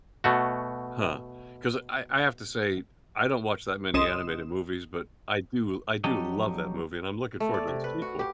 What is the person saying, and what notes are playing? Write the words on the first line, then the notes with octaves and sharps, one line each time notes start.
Huh? 'Cause, uh I I have to say, I don't watch that many animated movies, but I do I do love that movie, and I'm looking forward to the sequel.
B2 A3 F#4
C2 C#4 D#5 C6 D#6 E7
F3 F#3 D4 G4 A4 D#5
A3
D5
C3
B4
F#4
G4